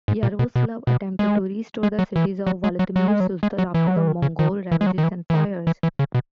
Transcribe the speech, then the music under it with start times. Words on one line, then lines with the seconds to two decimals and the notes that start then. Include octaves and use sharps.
Yaroslav attempted to restore the cities of Vladimir-Suzdal after the Mongol ravages and fires.
0.08 G#2
0.23 A#2
0.39 B2
0.56 B2
0.87 B2
1.19 G#3
1.83 G#3
1.99 F#3
2.16 E3
2.47 F#3
2.64 G#3
2.79 F#3
2.96 F#3
3.08 G#3
3.20 F#3
3.43 G#3
3.58 F#3
3.74 E3
3.87 F#3
3.96 E3
4.07 D#3
4.22 C#3
4.39 D#3
4.72 E3
4.81 G#3
4.87 F#3
4.98 D#3
5.03 E3
5.30 E3
5.35 D#3
5.67 E3
5.83 E3
5.99 C#3
6.15 B2